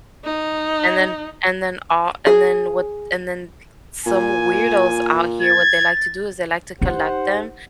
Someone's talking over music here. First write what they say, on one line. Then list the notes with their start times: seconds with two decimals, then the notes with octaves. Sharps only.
And then and then, uh and then what and then some weirdos out here, what they like to do is they like to collect them
0.25 D#4
2.27 G#4
4.06 A#2 G#5
5.42 G#6 A6
6.82 D#4 G4 C5 F#5